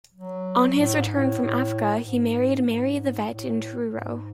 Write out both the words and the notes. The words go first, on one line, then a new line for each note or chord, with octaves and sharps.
On his return from Africa he married Marry Livett in Truro.
F#3
A2
G#2
A2
A2
G#2
G#2
A2
G#2